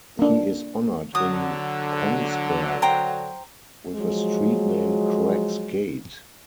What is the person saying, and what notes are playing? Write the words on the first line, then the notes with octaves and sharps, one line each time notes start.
He is honored in Kongsberg with a street named Krags gate.
A#3 D4
D3 F#3 D#6
C5 G5 A#5
F3 F#3 G#3